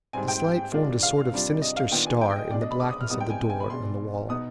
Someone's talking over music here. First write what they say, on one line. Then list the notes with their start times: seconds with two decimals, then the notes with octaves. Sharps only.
This light formed a sort of sinister star in the blackness of the door and the wall.
0.13 G#2 G3 C4 G#5
0.28 G5
0.72 D#3 G#3 D4 F4
1.03 F5
1.32 C3 G3 D4 F4
1.62 D#5
1.77 F5
1.91 D#3 B3 D4 F4 G5
2.06 G#5
2.21 G5
2.36 D#5
2.51 B2 G#3 D4 D5
2.61 D#5
2.71 B5
2.80 D6
2.90 D#6
3.01 F6
3.10 C3 G3 B3 D#4 D#6
3.20 G5
3.30 G#5
3.50 G#5
3.60 B5
3.70 B2 G#3 D4 C6
4.29 B2 B3 D#4 D#6